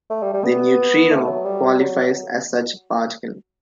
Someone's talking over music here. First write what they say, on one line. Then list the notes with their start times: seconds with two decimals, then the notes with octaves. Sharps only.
The neutrino qualifies as such particle.
0.10 A3
0.22 G3
0.33 G3
0.45 B3
1.11 A3
1.28 F#3
1.45 G3
1.80 F#3